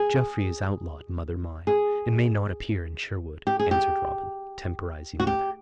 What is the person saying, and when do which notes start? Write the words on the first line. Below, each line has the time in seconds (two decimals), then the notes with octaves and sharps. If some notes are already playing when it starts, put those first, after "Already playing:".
"Geoffrey is outlawed, mother mine, and may not appear in Sherwood," answered Robin, temporizing with her.
Already playing: G#4
1.67 G#4
3.47 G4
3.59 G#4
3.71 G4
5.20 F#4
5.27 G4